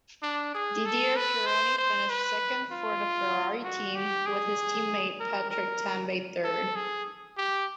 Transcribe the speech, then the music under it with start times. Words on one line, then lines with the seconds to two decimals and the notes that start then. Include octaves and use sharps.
Didier Pironi finished second for the Ferrari team with his teammate Patrick Tambay third.
0.22 D4
0.54 G#4
0.85 A4
1.16 B4
1.46 C5
1.78 C5
2.09 B4
2.71 F4
3.64 F#4
3.95 G4
4.26 G#4
5.19 A#4
5.50 A#4
6.44 A4
6.75 G#4
7.37 G4